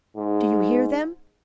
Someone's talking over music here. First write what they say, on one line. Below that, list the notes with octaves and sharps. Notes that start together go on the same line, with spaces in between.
Do you hear them?
G#2